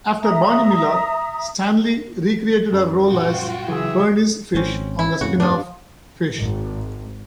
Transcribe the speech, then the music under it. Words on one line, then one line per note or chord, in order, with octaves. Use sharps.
After "Barney Miller", Stanley recreated her role as Bernice Fish on the spinoff, "Fish".
E5 A#5 D#6
F#2
A#2 G3 F4 F#4 G5
C#3 E3 F#3 G#4 E5
G#1 C4 C#4 C5
E4
F2 A2 C#3 F#4
G2 B3 D4
G#1